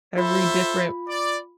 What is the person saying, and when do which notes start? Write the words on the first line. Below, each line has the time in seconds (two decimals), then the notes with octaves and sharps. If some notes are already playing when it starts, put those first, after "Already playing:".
every different
0.17 F4 A4 C5 E5 B5
1.09 D5